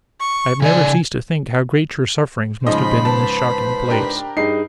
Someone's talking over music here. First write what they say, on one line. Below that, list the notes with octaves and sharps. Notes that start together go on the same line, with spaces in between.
I have never ceased to think how great your sufferings must have been in this shocking place.
C#6
C#3 D5 G#5
G#2 C#3 F3 C5 D#5 B5 C6
B4 A5
D4 G4 A#4
G2 D#4 G#4 C7